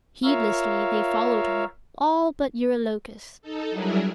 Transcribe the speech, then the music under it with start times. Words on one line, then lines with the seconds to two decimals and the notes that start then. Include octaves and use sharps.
Heedlessly they followed her, all but Eurylochus.
0.24 F4 A#4 C#5 E5 F5
3.42 D#4 A4
3.70 F#3 G3 D4 E4 G#4 A#4